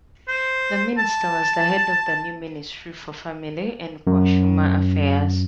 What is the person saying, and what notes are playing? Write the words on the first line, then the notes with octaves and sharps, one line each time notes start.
The minister was the head of the new Ministry for Family and Consumer Affairs.
C5
A5
F#2